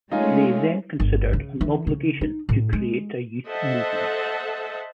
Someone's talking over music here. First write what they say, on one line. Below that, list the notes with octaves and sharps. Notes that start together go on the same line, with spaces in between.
They then considered an obligation to create a youth movement.
G#3 A3 C#4 D#4 F4 G#5
G1
C#3
E3
C#3
D#4
A2
G#3
A4 C5 D#5 E5 F#5 A5